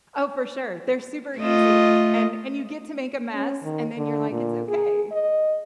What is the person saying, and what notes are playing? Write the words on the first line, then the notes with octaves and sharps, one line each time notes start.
Oh, for sure, they're super easy, and and you get to make a mess, and then you're like, "It's okay.
A3 F4 D#5
C#4
D#3
D3
A#2
G#4
D#5